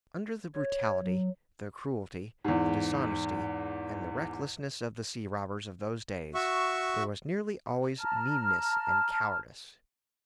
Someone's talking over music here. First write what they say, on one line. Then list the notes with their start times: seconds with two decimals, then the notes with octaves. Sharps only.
Under the brutality, the cruelty, the dishonesty, and the recklessness of the sea-robbers of those days, there was nearly always meanness and cowardice.
0.55 C#5
1.01 F#3
2.44 E2 G#2
6.35 F#4 E5 C#6
8.00 A5 A#5 F6